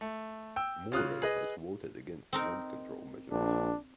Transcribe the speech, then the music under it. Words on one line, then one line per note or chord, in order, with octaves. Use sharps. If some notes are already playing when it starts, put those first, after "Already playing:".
Moran has voted against gun control measures.
A3
G5 E6
C#3 F4 D#6 F#6
G#4 B4 D#5
C4 D#4 A#4
A#1 D4